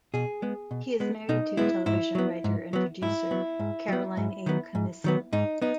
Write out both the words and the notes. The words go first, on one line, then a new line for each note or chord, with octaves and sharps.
He is married to television writer and producer Caroline A. Commisso.
B2 G#4
G#3 B3
B2
G#3 B3
B2 D#4
G#3 B3 E4
G#2 E4
F#3 B3
G#2
F#3 B3
G#2 E4
F#3 B3
G#2
F#3 B3
G#2
D#3 F#3 B3
G#2
D#3 F#3 B3
G#2 D#4
B3 D#4